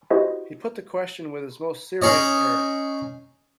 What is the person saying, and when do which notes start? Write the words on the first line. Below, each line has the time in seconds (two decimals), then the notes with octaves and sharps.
He put the question with his most serious air.
0.10 E4 F#4 G4 B4 C5 D#5
2.02 C#4 D#4 G#4 C#5 D#5